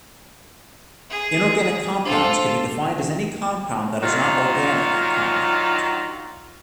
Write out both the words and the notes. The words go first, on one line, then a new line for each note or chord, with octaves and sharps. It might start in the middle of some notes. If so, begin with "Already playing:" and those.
Inorganic compounds can be defined as any compound that is not organic compound.
G#4
D4 F4 A4 C5
D#3 F#3 D4 F4